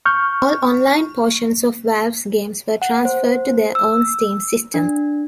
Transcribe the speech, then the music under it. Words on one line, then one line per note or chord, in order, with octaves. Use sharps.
All online portions of Valve's games were transferred to their own Steam system.
C#6 F6 G6
F#5
C5
E6
D4